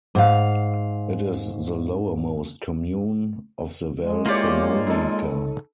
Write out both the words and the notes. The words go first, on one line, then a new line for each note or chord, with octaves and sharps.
It is the lowermost commune of the Val Camonica.
G#2 F5
G#3
A#3 E4 F4 G4 C#5 D5
D#4 A4